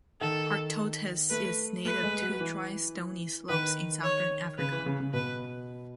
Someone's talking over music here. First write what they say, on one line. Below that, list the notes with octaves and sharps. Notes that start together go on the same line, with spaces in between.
"Arctotis" is native to dry stony slopes in southern Africa.
D#3 A4
A3 B4
A3 B4
G#3
F#3
E3
D#3 B4
C#5
C#3 B4
E3
C#3
C#3
B2 B4